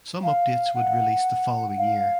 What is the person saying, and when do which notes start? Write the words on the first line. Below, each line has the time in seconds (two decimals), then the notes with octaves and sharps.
Some updates would release the following year.
0.23 F5
0.75 F#5
1.78 F5